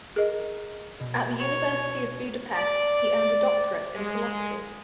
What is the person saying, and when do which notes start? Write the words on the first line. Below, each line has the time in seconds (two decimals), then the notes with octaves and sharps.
At the University of Budapest, he earned a doctorate in philosophy.
0.16 G#4 A#4 D#5
1.00 B2
1.39 C#5
2.55 D5
3.96 G#3